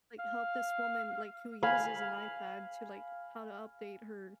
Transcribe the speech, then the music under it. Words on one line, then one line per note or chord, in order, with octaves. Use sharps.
like, help this woman, like, who uses an iPad to, like how to update her
F5
F5 G#5 B5